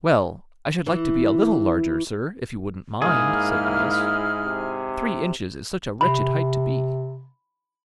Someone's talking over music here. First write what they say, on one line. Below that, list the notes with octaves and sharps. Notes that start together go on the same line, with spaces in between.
'Well, I should like to be a LITTLE larger, sir, if you wouldn't mind,' said Alice: 'three inches is such a wretched height to be.'
E3
G#2 A#3 E4 G#4 F6
C3
C3 B5